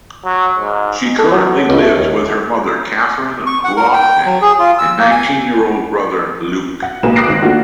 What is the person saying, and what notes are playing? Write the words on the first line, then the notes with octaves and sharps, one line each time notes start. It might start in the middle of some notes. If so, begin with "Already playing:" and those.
She currently lives with her mother Kathryn Loughnan and nineteen-year-old brother Luke.
F#3
G#2
A4
F#3
C#2
A3
D#2
C#6
F#5
A#4
G5
F#3
G#4
F4
E6
A#3
G#5
F#5
B1 G#3 A#3 G#4 B4 E7
D6 D#6 F#6 A#6 C7 D7
G#1
A3 A#3 C4 D4 F4 F#4